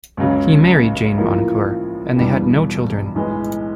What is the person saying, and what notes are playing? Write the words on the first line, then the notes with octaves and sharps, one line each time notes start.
He married Jane Moncure and they had no children.
C#2 C#3 F#3
A2 F3 A#3
E2 B2 G3 B3 D4
B1 A2 E3 G#3 B3